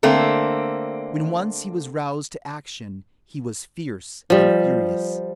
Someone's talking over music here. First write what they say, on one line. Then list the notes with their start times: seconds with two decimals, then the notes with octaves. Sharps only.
When once he was roused to action, he was fierce and furious.
0.03 D3 A3 A#3 C4
4.30 F3 G3